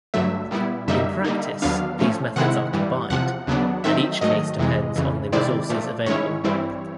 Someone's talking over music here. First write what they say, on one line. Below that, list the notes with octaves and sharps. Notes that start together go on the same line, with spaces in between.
In practice these methods are combined, and each case depends on the resources available.
G2 D3 F#3 A3 E5
A#2 G3 B3 E4
F#2 D3 G3 A#3 D#4 E5
D3 G3 A#3 D#4
D#2 D3 F#3 B3 D4 F5
A2 F3 A3 C#4
C3 D#3 G#3 C4 E4 F#5
G2 E3 G3
E2 C3 F3 F#5
D#2 C#3 F#3 B3 D4
D#3 F#3 A3 C4 D#4 E5
G#2 D#3 F#3 A3 D#5
F2 C3 E3 G#3
F2 C#3 E3
C3 D#3 G#3 C4 E4 D5
A#2 F3 A3
G#2 D#3 G#3 C#4 E4 C#5
G2 E3 G3 C4 E4